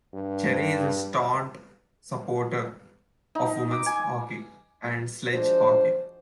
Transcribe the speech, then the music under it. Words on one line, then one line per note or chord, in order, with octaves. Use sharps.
Cherry is a staunch supporter of women's hockey, and sledge hockey.
G2
D#4
D6
G#5
F3 G#3 D4 F#4 C5